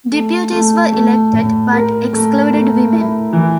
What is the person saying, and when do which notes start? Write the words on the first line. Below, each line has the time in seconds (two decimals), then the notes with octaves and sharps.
Deputies were elected, but excluded women.
0.12 A3
0.52 A3
0.92 A3
1.33 A2
1.73 A#4
2.13 A3
2.53 A3
2.93 E4
3.33 E3